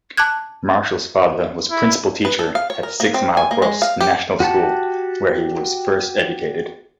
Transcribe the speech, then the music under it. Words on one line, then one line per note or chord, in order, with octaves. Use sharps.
Marshall's father was principal teacher at Sixmilecross National School, where he was first educated.
A5 D6 F#6 G#6
E4
B4
A4
F5
C#5
A#4
A#3
C4
G#5
A#3
G#3
F5
G4
F#4 G4 F#5 A5